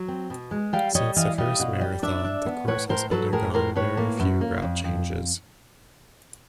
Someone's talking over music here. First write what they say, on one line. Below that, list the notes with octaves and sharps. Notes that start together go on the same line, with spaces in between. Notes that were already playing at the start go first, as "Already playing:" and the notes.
Since the first marathon, the course has undergone very few route changes.
Already playing: F#3
C4
B2
G#3
G3 F5 G5
G3 C#5 D#5
E3 D#5 F5
G3 D#5 F5
B2
G3
D4 D5 E5
D4
B3
A2 B4 C#5
A2 A#4 C5
F#3 A4 B4
A2 G#4 A#4
A2 A#4 C5
A2 B4 C#5
A#3
F#2
A#3
F2
F2